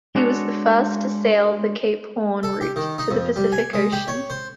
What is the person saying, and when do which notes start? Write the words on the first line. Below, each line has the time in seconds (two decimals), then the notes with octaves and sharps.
He was the first to sail the Cape Horn route to the Pacific Ocean.
0.16 G#3 D4 F#4 A4 C#5
2.43 A4
2.61 G4
2.76 D#3
2.98 D#4
3.11 F2
3.36 G3
3.52 G#5
3.73 G#3
3.92 G4
4.08 C#5
4.30 C5